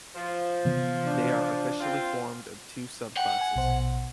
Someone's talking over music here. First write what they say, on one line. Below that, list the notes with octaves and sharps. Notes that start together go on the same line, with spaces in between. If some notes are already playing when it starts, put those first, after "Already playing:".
They are officially formed of two subclasses.
F3
C3 E3 B3
D4
C4 F4
F#5 G5
G#5
A#1 B2 C5